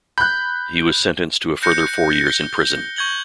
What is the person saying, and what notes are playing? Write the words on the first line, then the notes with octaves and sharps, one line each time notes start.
He was sentenced to a further four years in prison.
B5 F#6 G6
F#6 G6 A#6 C#7
A#6 C#7 G7
C#6 G6 G#6 F#7 G7